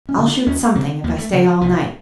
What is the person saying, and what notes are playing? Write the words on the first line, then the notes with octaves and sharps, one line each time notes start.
I'll shoot something, if I stay all night.
C#4
D3
D4
D#2 C#4
C#3 C4
D#2 A#3
A3
C#3 E3
F3
C2 E3